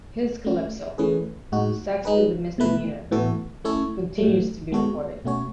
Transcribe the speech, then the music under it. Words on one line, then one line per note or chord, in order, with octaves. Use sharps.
His calypso, "Sex is a Misdemeanor", continues to be recorded.
A3 C#4 F#4
E3 A3 C#4 G#4 B4
A2 G#3 D#4 F#4
G#3 D#4 G#4 B4
B2 A3 E4 B4
A2 E3 B3 F#4 A4
A3 C#4 E4 A4 C#5
A2 F#3 A3
G#3 B3 F#4 A4 C#5
B2 A3 C#4 F#4 C#5